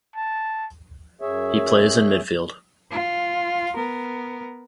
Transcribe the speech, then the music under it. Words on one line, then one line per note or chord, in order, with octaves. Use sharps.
He plays in midfield.
A5
F#2 G#4 C#5 E5
F4
B3 A#4